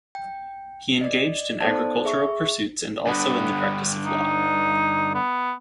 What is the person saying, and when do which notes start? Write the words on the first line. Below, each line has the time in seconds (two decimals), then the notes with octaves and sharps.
He engaged in agricultural pursuits and also in the practice of law.
0.15 G5
1.01 D5 D#5
1.60 B3 D#4 A4 C5 D5 A5
2.05 G#4 E5 C#6
3.07 G2 D3 B3
4.05 D#4
5.14 B3